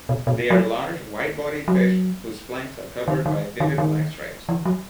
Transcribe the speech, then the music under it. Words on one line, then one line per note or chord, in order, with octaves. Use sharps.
They are large, wide-bodied fish whose flanks are covered by vivid black stripes.
B2
B2
F#3
F#3
D#3
D#3
D#3
D#3
E3
F#3